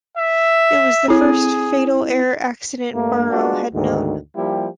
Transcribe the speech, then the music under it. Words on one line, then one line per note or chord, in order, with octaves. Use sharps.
It was the first fatal air accident Barrow had known.
E5
C4 E4 G#4
G2 A3 A#3
G3 G#3 B3 D4 F4 F#4
D2 G#2 D#3
F3 G3 A#3 E4 G4